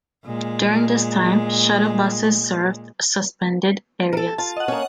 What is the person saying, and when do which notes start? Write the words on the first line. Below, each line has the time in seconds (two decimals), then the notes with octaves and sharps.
During this time, shuttle buses served suspended areas.
0.25 A#2 G#3
4.13 A4 A#4
4.38 F4 A5
4.57 D#5 F#5
4.68 A#3 C#4